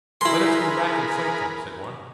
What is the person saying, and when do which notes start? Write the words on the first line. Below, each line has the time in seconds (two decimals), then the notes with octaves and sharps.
"Let us go back and fight them," said one.
0.21 E4 G#4 A#4 B4 C6